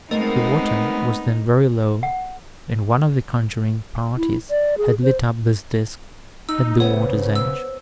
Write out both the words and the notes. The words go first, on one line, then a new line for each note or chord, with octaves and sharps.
The water was then very low, and one of the conjuring parties had lit up this disk at the water's edge.
G#3 A3 B3 C4 D#4 A#4 D#5
F#5
E4
D5
G#4
C5
D#4 E6
C#3 B3 C5 C#5
E6